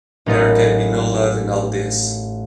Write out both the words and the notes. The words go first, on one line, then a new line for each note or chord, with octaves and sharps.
There can be no love in all this.
A1 F#3 B3 D#4 A#4 A6